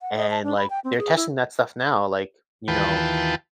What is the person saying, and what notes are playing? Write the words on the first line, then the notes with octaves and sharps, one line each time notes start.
and, like, they're testing that stuff now, like, you know,
F#5
D#5
A5
D4
B5
G5
C4
G#4
E4
D#2 E3 F4 B4 G5 A5